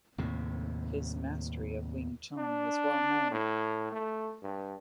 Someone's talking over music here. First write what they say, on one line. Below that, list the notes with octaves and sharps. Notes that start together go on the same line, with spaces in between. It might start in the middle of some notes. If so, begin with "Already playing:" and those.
His mastery of Wing Chun was well known.
D#2 A2 C3
D4
A2
A3
G2